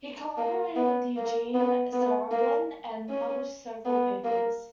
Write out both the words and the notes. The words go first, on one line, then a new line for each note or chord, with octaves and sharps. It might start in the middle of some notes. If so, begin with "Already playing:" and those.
He collaborated with Eugene Serabyn and published several papers.
A#3
B3
A#3
B3
B3
A#3
C#4
B3
A#3